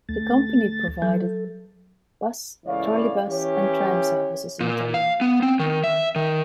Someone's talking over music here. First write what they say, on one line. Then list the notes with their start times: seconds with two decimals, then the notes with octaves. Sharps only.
The company provides bus, trolleybus, and tram services in Tallinn.
0.09 D2 A3 A6
1.02 F#3 A4
2.66 C#2 A2 E3 C#5 D5 F5
3.28 E3 C#4 E4 G4 C#5
4.60 A#2
4.94 F5
5.21 B3
5.43 C4
5.59 D#3
5.84 E5
6.16 D#3